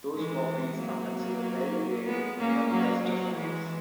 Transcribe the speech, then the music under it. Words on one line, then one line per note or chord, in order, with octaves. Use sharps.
Those copies are considered very rare by Guster fans.
E3 G#3
F#3 A#3
G#3 B3
A#3 C#4
F#3 A#3
F#3 A#3
E3 G#3